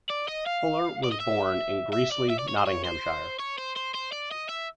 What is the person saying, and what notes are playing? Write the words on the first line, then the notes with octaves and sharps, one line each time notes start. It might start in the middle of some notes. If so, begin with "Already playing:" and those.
Fuller was born in Greasley, Nottinghamshire.
D5
D#5
F5
D5
D#5
E5
E5
D5
E5
D5
C#5
C5
C#5
C5
C#5
C5
C5
C5
D5
D#5
E5